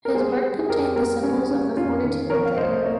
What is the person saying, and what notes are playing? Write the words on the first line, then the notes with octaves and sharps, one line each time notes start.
His work contained the symbols of the fortitude of the era.
A#4
G3 G#4 C5
G3
G#4
F2 G4 A#4
G3 G4 A#4
G3 C#4
G3 C#4
F2 C#4 F4
D#3
F3 A#4 C#5
F5
C2 C5 D#5
C#5